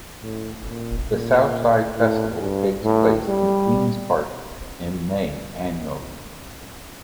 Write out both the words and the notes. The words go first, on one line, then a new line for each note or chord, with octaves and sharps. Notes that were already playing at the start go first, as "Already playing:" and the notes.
The Southside Festival takes place in Queens Park in May annually.
A2
A#2
A#2
A2
G2
A2
G3